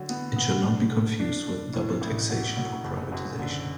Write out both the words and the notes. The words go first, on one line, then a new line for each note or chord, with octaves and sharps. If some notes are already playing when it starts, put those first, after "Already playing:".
It should not be confused with double taxation or privatisation.
Already playing: D3 F#3
B3
B3
D4
A3
D4
D4
A2
A1
F#3
F#3
F#1
F#2
D3